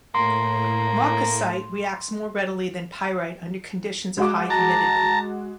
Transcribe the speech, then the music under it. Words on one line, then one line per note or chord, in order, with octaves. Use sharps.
Marcasite reacts more readily than pyrite under conditions of high humidity.
A2 A#3 C6
G#3 F#4 D6
A5 A#5